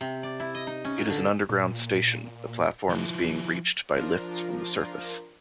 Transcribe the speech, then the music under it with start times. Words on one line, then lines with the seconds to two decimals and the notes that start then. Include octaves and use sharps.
It is an underground station, the platforms being reached by lifts from the surface.
0.01 C3
0.23 D5
0.40 E4
0.55 D#5
0.67 D#4
0.85 C#4
0.98 A#2
1.10 D3
1.49 A#2
2.89 F3 E4
3.96 F3 D4 F4 A#4